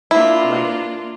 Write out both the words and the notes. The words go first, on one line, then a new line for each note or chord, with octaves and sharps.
I'm like
A#3 D4 E4 F4